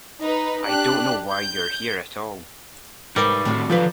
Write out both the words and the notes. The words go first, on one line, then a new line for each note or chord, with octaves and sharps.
I don't know why you're here at all.
D#4 B4
D4 G4 F#6
G6
G#2 G3 D#4 A#4 B4
A2 D3 D#3 C4 F#4
D3 D#3 F3 F#3 A4 B4 F5